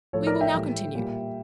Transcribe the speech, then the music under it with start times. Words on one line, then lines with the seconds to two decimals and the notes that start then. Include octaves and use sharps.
We will now continue.
0.13 A2 F3 A4 C#5
0.27 A#4 D5
0.41 E5 G5
0.54 A2 E3 G3
0.95 A#2 G3